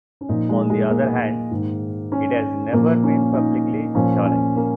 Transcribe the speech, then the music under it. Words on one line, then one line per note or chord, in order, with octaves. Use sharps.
On the other hand, it has never been publicly challenged.
C#4
A#2 F3 D#4
G#3
G#3
A#3
G#2 D#3
C#4
A#2 F3 A#3
C#4
D#4
A#2 F3 C#4
C#4
A#3